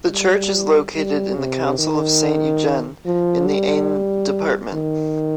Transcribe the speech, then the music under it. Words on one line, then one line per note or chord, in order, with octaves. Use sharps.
The church is located in the council of Saint-Eugène, in the Aisne department.
G3
G3
C3
D#3
F3
G3
D#3